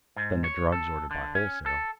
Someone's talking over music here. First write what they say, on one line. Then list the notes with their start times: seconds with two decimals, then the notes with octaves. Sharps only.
Then the drugs ordered by wholesale.
0.16 G#2
0.44 C#5
0.72 A4
1.11 D3
1.35 C#4
1.66 A4